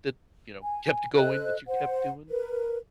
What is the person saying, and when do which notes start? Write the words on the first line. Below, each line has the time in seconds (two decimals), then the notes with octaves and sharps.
that, you know, kept going that you kept doing?
0.61 G#5
1.16 A4 C5 D#5 F#6
1.66 C5 F#5
2.29 A#4 B4